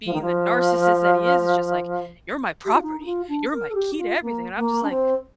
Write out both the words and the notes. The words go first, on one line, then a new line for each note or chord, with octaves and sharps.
being the narcissist that he is, is just like, "You're my property. You're my key to everything." And I'm just like,
F3
D#3
F3
G4
F4
D#4
D#4
F4
D4
A#4
A4
G4
F4
A#3
A#3
D4
C4